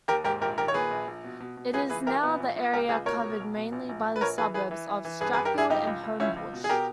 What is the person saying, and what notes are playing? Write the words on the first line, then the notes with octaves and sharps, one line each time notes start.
It is now the area covered mainly by the suburbs of Strathfield and Homebush.
D#2 G4 A#4
G#2 G4 A#4
A#1 G4 A#4
D#3 G4 A#4
C#5
A#2 G#4 B4
A#1
A#1
B2
B2
B2
C#2 G#4 B4
E3 G#4 B4
E3 G4 A#4
A#1 B3
A#1
A#2
C#2 G4 A#4
C#2 G#4 B4
B2 A#4 C#5
B2
B1
B2
A#1
A#1
A#1
B4
A#1 A#4 C#5
E3 G#4 B4
E3 G#4 B4
E3
E3
E3
G2 G#4 B4
G#4 B4
G2
G4 A#4
G2 E4 G#4
C#2 D#4 G4
C#2
C#2
C#2 C#4 E4
C#2
B2
G#4
B2 G4 A#4